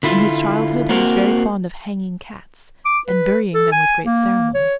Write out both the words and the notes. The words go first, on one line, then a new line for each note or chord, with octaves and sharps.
In his childhood he was very fond of hanging cats, and burying them with great ceremony.
D3 E4 F4
A#3 C4 F#4 A#4
D6
B4
A4
G#5
A#3
C#5